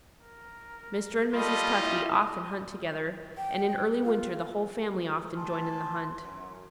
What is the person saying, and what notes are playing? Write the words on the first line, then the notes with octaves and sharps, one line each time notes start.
Mr. And Mrs. Tufty often hunt together, and in early winter the whole family often join in the hunt.
A#4
G3 F4 A4 D#5 B5
E4 E5
G5
F4
A2 G#5 A5 C6
F#2